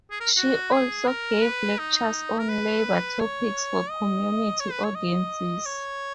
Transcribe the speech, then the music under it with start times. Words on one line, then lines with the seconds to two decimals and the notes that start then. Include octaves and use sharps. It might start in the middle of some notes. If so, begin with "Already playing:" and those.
She also gave lectures on labor topics for community audiences.
0.11 G#4
0.20 A#4
0.37 F#4
0.72 G#4
1.07 A#4
1.42 B4
1.79 D#4
2.39 A#4
2.49 B4
3.20 C#5
3.90 D#5
4.60 C#5
4.71 B4
4.84 C#5
4.95 D#5
5.66 C#5